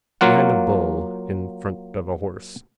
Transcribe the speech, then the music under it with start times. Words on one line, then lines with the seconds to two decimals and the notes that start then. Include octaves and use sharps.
Behind a bull: in front of a horse.
0.21 F#3 A#3 F4 F#5